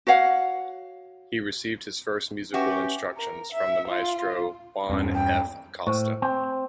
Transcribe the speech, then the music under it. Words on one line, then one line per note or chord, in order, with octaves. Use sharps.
He received his first musical instructions from the maestro Juan F. Acosta.
F#4 C#5 F5 F#5
C#4 F#4 G4 B4 E5 F#5
A#4
E5
F4
E2 G2 C#4
G5
A2 C5 C#6
C4